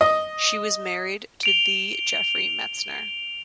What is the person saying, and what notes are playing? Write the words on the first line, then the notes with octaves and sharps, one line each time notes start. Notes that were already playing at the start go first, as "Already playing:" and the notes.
She was married to the Jeffrey Metzner.
D#5
D7 F7 G7